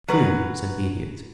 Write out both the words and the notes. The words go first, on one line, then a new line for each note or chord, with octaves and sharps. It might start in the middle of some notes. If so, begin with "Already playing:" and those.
"True," said the Idiot.
F#3 B4